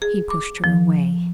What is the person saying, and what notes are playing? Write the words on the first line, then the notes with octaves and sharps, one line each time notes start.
He pushed her away.
G#4
D6
F3